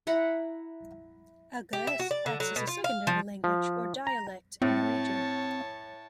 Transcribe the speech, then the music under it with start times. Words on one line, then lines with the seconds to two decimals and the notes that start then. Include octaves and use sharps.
Algherese acts as a secondary language or dialect in the region.
0.07 E4 F#5 A#5
1.73 G4
1.87 E5
1.99 F#4
2.11 D5
2.26 D3
2.40 F#3
2.56 B2
2.67 F4
2.84 F5
3.07 F3
3.44 F3
4.07 A#5
4.62 A2 C4 C#5 A5